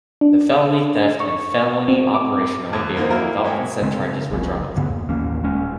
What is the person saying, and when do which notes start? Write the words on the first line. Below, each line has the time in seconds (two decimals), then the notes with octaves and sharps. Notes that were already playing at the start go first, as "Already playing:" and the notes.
The felony theft and felony operation of a vehicle without consent charges were dropped.
0.21 D4
1.20 C#6
1.88 C4
2.14 D6
2.70 G#1 D#2
2.96 F#3 A#3 C4 D#4
3.10 F#3 A#3 E4 A#4
3.44 G#2 C#5 G5
3.82 C#3 G#3 C4
4.30 F#1 C#2 F#2 F3
4.76 D2 G2 C#3 B3
4.90 D#2
5.09 A1 D#2 A#3 C#4
5.43 D#1 G#3 C#4